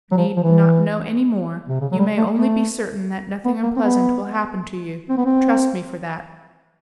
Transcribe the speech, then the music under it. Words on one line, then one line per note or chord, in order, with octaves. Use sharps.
You need not know any more: you may only be certain that nothing unpleasant will happen to you; trust me for that.
F#3
F3
F3
E3
C3
C#3
F#3
G3
A3
A3
B3
A#3
C4
B3
C4
B3
C4